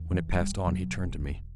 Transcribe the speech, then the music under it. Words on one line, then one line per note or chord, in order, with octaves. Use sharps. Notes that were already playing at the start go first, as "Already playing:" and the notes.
When it passed on, he turned to me.
Already playing: E2
E3
E1
F#3
G3
B2 F#3
E1